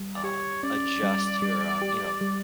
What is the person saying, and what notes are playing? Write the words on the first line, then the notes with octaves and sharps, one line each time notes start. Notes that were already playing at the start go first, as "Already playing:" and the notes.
um, adjust your, um, you know,
Already playing: G3
D5
G4 C#5
C#4 D5
G3
G3
G4
G3